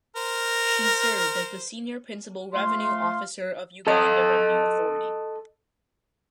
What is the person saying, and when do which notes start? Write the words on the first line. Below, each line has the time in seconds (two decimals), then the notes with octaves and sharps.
She served as the Senior Principal Revenue Officer of Uganda Revenue Authority.
0.16 A#4 C5
2.54 F3 A3 F5 C6
3.87 A4 D#5